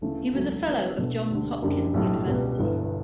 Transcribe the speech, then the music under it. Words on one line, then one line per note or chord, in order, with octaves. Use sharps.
He was a fellow of Johns Hopkins University.
D2 C#3 E3 A3
E1 D2 C#3 F#3 A3
C#3 E3 B3
B2 A3 D4
D2 D3 G3
F#1 F#2 D3 G3
B1 A2 G3 D4
C#2 B2 G3 B3
G1 G2 E3 B3 E4